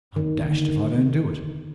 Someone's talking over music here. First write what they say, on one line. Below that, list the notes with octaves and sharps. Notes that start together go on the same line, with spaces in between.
'I'm dashed if I don't do it.
D#3
D#3
D3